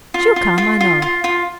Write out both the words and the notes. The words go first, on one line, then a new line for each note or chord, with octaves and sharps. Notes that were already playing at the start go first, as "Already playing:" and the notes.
She'll come, I know.
F4
F4
F4
F4
F4
F4